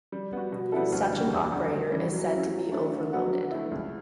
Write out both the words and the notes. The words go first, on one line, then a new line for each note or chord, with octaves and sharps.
Such an operator is said to be "overloaded".
G3
B3 F#4
B2
G3 B3 E4 A4
D2
C#3 G3 D4
E2
D3 G3
D2
C#3 E3 G3
F#3
C#4 E4
F#3
A3 D4
D3
F#3 B3 F#4
D3
A3 E4
C#2